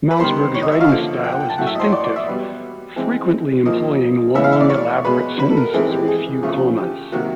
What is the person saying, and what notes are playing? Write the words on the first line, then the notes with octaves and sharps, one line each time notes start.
Malzberg's writing style is distinctive, frequently employing long, elaborate sentences with few commas.
B4
D#3 G3 B3 C5
C#5
D#5
E5
F5
D3 F3 A#3
G5
F#5
G5
A5
A2 F#3 A3 F#5
E5
D#5
C5
C#5
D5
D5
E5
B2 G3 B3
E3 G#3 C4
A#2 F3 A#3 D#5
A2 E3 G#3 B3 E5
F5
E5
D5
C#5
B2 G#3 B3 B4
B4
A4
A#4
E3 G#3 C4 G#4
G4
G#4
C#3 F3 A3
G4
C3 D#3 F#3 A#3 F#4